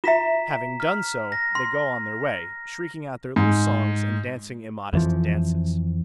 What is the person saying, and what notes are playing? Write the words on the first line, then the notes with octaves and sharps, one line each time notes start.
Having done so they go on their way, shrieking out their loose songs and dancing immodest dances.
F4 E5 A#5 B6 E7
F6 B6
A#6
C6
G#2
F2 E3 F3